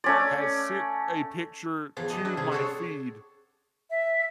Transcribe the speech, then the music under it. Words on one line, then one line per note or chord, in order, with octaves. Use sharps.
has sent a picture to my feed.
A3 C#4 D5
E2 E3 F3
G3 D#5
D4 E4
C3 C4 G#4
D4 F#4 G#4 A4 C5 C#5
E5